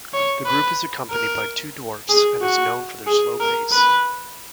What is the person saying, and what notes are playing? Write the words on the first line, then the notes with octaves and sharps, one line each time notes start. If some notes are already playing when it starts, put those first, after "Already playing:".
The group is accompanied by two dwarfs and is known for their slow pace.
C#5
B4
A#4
G#4
F#4
G#4
A#4
B4